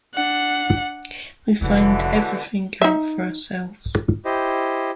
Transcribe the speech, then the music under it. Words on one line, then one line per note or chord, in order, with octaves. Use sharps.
We find everything out for ourselves.
D4 F#5
F1 F2 B2 D3 E3
D#4 E5
E4 G4 C5 D#5